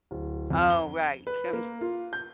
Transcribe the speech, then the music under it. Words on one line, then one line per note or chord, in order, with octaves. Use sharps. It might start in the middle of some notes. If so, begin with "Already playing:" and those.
Oh, right. Come t
D1
F2
G7
B4
A#3
F4
G6